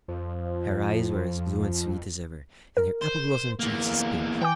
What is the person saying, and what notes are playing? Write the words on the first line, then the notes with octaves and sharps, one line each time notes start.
Her eyes were as blue and sweet as ever, and her apple-blossom cheeks as pink.
F2 F3
A#4
C5
E2 A#3
E3 G5 G#5 D6